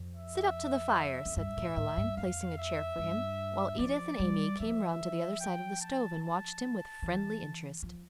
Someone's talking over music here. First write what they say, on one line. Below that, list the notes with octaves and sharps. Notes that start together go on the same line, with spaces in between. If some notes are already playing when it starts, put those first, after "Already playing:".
"Sit up to the fire," said Caroline, placing a chair for him, while Edith and Amy came round to the other side of the stove and watched him with friendly interest.
Already playing: F2
E5
F2
G2 E5
A2
A2
G2
F2 F5
E5
G2
F3 D5
G3
F3 E5
G5
A5
A5
E3
F3